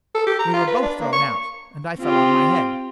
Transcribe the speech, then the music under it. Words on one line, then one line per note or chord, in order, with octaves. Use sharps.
We were both thrown out, and I fell on my head.
A4
G4
A#5
F4
B4
D4
A#3
C#6
C4 F4 G4